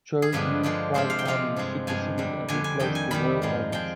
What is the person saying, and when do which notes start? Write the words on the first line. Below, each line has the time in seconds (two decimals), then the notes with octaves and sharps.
Choe U's private armies superseded and replaced the Royal armies.
0.22 G#4
0.32 G2 D3 F3 G#3 B4
0.63 G2 D3 F3 G#3
0.94 C3 F3 G#3 C5
1.10 F5
1.19 G5
1.25 C3 F3 G#3 F5
1.56 G2 F3 G#3
1.87 G2 F3 G#3 G#5
2.18 F2 D3 G3
2.48 F2 D3 G3 G#5
2.64 G#5
2.80 F2 D#3 G3 G5
2.95 G#5
3.11 F2 D#3 G3 B5
3.42 G#2 F3 G#3
3.72 F3 G#3 G5